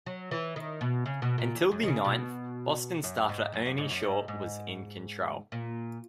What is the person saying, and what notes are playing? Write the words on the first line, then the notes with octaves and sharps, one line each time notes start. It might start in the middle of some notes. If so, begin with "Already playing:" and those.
Until the ninth, Boston starter Ernie Shore was in control.
F#3
E3
D#3
B2
C#3
B2
A#2
E2
F#2
D#3
C#3
B2
F#2
G#2
F#2
F#2
G#2
F#2
G#2
G#2
A#2